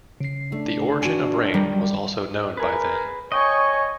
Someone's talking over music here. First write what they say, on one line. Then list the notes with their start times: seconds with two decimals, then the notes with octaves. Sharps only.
The origin of rain was also known by then.
0.20 C#3 C7
0.52 A3 D4
1.02 F#4 G#5
1.54 D#3 G3
2.57 G#4 A#4 B4
3.32 C#5 D#5 G5 G#5 C#6